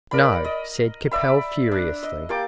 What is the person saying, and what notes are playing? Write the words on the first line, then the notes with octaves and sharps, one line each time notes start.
"No," said Capel, furiously.
A#4 D5 B5
D#5
D5 E5 B5
D4
D#5
A#3 G4 A5 D6